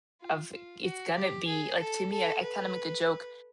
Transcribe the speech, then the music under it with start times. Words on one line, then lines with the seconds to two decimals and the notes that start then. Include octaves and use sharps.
of it's gonna be like, to me, I I kind of make a joke,
0.21 F4
0.52 F4
0.84 F#4
1.15 G4
1.47 G#4
1.80 A4
2.11 A4
2.42 B4